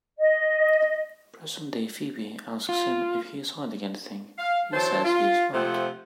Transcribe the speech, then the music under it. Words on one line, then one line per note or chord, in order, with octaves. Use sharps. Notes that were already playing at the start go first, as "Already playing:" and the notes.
Present-day Phoebe asks him if he is hiding anything; he says he is not.
D#5
F4
F5
E3 F#3 C5 A5
F4
C3 F3 A3 F4 F#5 G5